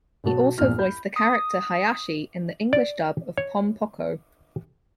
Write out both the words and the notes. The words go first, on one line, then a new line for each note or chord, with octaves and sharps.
He also voiced the character Hayashi in the English dub of "Pom Poko".
B1 B2 F#3 F#4 A5
A#1 E2 F3 F6
B5 G6
D#6
D5
C#5